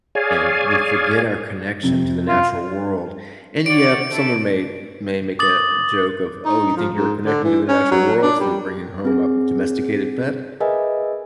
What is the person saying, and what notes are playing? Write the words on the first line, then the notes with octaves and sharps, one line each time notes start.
and we forget our connection to the natural world. And, yep, someone may may make a joke of, "Oh, you think you're connecting to the natural world through bringing home a domesticated pet?"
G#4 C#5 D5 F5 G#5
F2 C3
F4
F#4 C#5 D5 D7
E4 A4
D6 D#6 A6 F#7
D#4
F3
G#2
D3
E3
C#4
F#3
D4
G3
C4 G#4
G#4 A#4 B4 D#5 E5 G#5